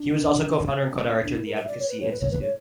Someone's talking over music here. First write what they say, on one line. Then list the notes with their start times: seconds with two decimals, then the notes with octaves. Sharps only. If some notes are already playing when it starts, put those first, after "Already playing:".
He was also co-founder and co-director of the Advocacy Institute.
Already playing: D4
0.91 C#4
1.24 D4
1.34 E4
1.46 A#4
1.56 E5
1.68 D5
1.79 C#5
1.89 B4
2.00 C#5
2.11 B4
2.20 C#5
2.31 B4
2.41 C#5